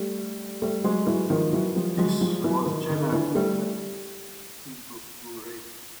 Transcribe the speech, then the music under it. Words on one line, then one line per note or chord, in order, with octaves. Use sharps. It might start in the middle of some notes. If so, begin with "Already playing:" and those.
This was generally accepted in the Timbuktu region.
Already playing: G3 A3
G3 A3
F#3 G#3
E3 F#3
D#3 F3
E3 F#3
F3 G3
F#3 G#3
F3 G3
E3 F#3
D#3
D#3
D3 E3
G3 A3